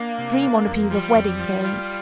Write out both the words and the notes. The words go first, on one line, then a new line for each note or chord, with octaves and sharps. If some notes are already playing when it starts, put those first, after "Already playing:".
Dream on a piece of wedding cake.
Already playing: A#3 D4
C3
D4
F2
F3 G3
F2
F3
F4